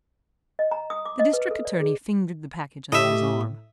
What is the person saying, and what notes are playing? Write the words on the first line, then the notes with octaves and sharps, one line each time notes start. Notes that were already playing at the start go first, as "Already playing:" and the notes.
The district attorney fingered the package under his arm.
D#5
A#5
D#6
D6
D#5
B4
A4
D5
G#4
A2 G4 D#5 E5